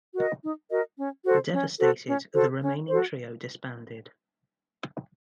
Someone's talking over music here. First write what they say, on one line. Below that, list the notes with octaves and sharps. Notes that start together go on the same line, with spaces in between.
Devastated, the remaining trio disbanded.
F#4 A#4 D#5
D#4
F#4 A#4 D#5
C#4
F#4 A4 C5
C#4
F#4 A4 C5
C#4
F#4 A4 C5
C#4
F#4 A4 C5